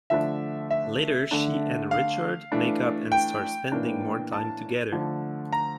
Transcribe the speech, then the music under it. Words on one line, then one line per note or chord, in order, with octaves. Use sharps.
Later she and Richard make up and start spending more time together.
D3 F3 A3 D4 E5
E5
D3 A3 D4
F5
E3 A3 D4
G5
A2 E3 A#3 D4
A5
D3 F3 A3 D4
A#5